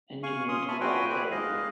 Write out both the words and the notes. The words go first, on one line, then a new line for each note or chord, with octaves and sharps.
Engineered by A.
F5 G#5 C#6
C#4 C6 D#6
E5 G#5 A5 B5 C#6 F6
C4 F#4 B4 G5 G#5 C6
G4 G#5 B5 F#6
G#3 D#5 F5